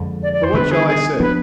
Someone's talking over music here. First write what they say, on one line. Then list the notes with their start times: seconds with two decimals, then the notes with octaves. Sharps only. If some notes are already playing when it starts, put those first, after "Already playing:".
For what shall I say?
Already playing: F2 D3 G#3
0.22 D5
0.32 D5
0.43 C5
0.54 D3 G3 B3 B4
0.71 G#4
0.87 G#4
1.19 F3 B3 D4 B4